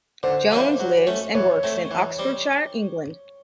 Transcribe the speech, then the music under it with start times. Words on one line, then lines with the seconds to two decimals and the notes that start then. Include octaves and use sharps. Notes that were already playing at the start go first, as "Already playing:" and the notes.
Jones lives and works in Oxfordshire, England.
0.23 D3 C5
0.51 G3 A#3 C#4 E4
0.80 F#3
1.07 A3 C#4
1.35 E3 C#5
1.63 A3 C4
1.91 E3
2.19 G3 C4